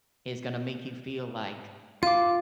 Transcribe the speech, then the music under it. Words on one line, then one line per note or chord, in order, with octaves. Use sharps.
is gonna make you feel like
F4 F5 D6